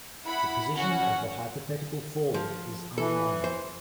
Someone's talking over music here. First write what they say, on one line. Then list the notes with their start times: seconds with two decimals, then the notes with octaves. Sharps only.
The position of the hypothetical ford is unknown.
0.24 E4 F#5 B5
0.75 C#4 F#4 F#5
2.34 F3
2.98 E3 A4
3.44 C5